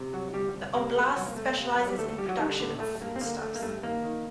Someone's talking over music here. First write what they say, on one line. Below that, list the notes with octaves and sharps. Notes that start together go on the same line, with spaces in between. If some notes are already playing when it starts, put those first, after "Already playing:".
The oblast specializes in production of foodstuffs.
Already playing: C3
F#3 G3 F#4
D2 G3 G4
C2
C3 A#3 A#4
F#3 A3 A4
C2 F#3 F#4
A#3
A3
C3 A#3
F#3 A#3
G3 G4
D2 A3 A4
A4
G3 G4
F#3 F#4
D#3 G3 D#4
D3 D4
A2 D3 D4
A2 A3
G2 A#3
C4
D3 A#3
A3
A#3
G2 A3
D#2 A#3
D#3